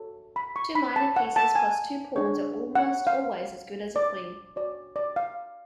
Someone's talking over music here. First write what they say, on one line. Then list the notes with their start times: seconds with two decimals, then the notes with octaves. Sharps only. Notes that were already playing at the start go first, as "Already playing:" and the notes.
Two minor pieces plus two pawns are almost always as good as a queen.
Already playing: F#4 A4 C#5
0.36 B5
0.56 C#6
0.75 B5
0.96 A5
1.16 F#5
1.36 A5
1.55 G#5
2.16 D4 G#4 C#5
2.75 F#5
3.07 F5
3.96 D5
4.56 F#4 C#5 D5
4.96 D5
5.16 F5